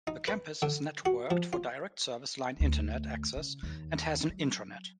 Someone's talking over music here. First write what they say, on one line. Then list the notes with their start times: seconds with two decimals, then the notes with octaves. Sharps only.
The campus is networked for direct service line internet access and has an intranet.
0.07 D#4
0.28 B4
0.62 D3
1.06 F#4
1.31 F3
1.53 F4
2.60 D2
3.36 C#3
3.63 D#2
4.29 F#3